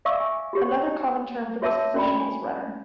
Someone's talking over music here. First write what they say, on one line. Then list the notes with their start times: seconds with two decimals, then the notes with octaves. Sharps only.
Another common term for this position is "runner".
0.05 D5 E5 F5 C#6 D6 E6
0.20 G#5
0.53 F#4 G4 C#5
1.62 F#4 C#5 E5 A5 D6 E6
1.94 C#4 D4 F#4 D5 G5 B5
2.20 G#5